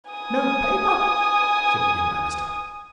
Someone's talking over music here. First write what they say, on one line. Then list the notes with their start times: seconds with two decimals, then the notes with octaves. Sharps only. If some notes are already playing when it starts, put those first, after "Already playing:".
"No paper," said William Bannister.
0.11 G#5 D#6